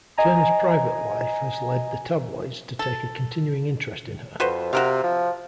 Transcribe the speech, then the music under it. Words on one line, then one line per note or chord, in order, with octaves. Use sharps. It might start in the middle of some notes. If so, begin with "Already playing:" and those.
Turner's private life has led the tabloids to take a continuing interest in her.
D#5 G#5 A#5
A4
F2 F#4 B4 C5
C3 F#4 A#4 F5
F3